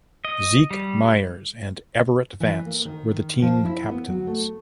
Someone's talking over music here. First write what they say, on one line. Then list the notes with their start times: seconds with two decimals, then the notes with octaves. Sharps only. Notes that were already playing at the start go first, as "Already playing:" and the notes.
Zeke Myers and Everett Vance were the team captains.
0.25 D#5
0.71 G3
2.40 E3
2.66 A#3
2.85 D#3
3.42 F3
3.65 E4
3.91 B3
4.08 F#3
4.27 A3